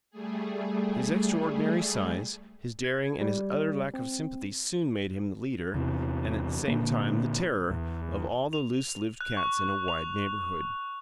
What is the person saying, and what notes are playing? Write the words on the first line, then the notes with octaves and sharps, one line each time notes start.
His extraordinary size, his daring and his utter lack of sympathy soon made him the leader--and, at the same time, the terror--of all the loose-lived cats in a wide neighbourhood.
G3 A3 G#4
G#6
G3
C4
E2 C3 E3
A#2 D3 A#3
E2
F7
F#6
C#6
F7